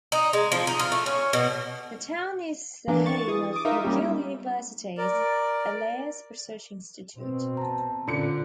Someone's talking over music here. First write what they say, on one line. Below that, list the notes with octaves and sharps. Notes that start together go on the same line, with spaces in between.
The town is the home of McGill University's Bellairs Research Institute.
D#4
G#3
F3
D#4
F4
A3
C#4
B2
E3 A#3 B3 D4
C#6 A6
E3 G#4 D#6
D6 D#6
D#4 F4 A#4 E5
G3 A#3 C#4 G4
A#4 D5
B2 C4
A5 A#5
A#2 D3 C#4 F4 C#7